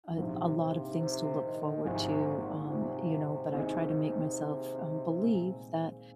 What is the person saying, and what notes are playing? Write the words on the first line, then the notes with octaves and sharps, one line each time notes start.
a l a lot of things to look forward to, um, you know, but I try to make myself, um, believe that
A#1 G#2 C3 F3
C3
C3
D#3
G#1 G#2 C3 F3 G#3
A#2
C3
D#2 D#3 C4 D#4 G#4
A#2 G#3 C4